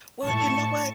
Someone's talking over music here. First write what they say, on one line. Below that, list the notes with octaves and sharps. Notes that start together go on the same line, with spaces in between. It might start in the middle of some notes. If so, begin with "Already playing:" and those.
Well, you know what?
A2 A5 C#6